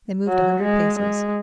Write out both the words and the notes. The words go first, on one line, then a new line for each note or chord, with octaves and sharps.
They moved a hundred paces.
F#3
G#3
G#3